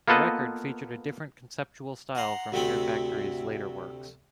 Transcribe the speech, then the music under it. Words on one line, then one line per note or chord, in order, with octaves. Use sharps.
The record featured a different conceptual style from Fear Factory's later works.
A#3 B3 F4 A4 B4 D#5
F#5 A#5 C6
D2 C3 A3 C4 G5 B5